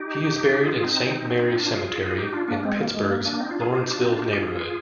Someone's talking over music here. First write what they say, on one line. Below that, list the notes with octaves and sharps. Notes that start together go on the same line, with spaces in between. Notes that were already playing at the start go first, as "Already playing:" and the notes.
He is buried in Saint Mary Cemetery in Pittsburgh's Lawrenceville neighborhood.
Already playing: D#4 G4
F4 G#4
F4 G#4
C4 D#4
D4 F4
F4 G#4
F4 G#4
F4 G#4
D#4 G4
D4 F4
A#3 D4
G#3 C4
A#3
G#3
A#3
A#3 D4
C4 D#4
D4 F4
F4 G#4
F4 G#4
D#4 G4
D4 F4
C4 D#4
D4 F4
D#4 G4
F4 G#4
F4 G#4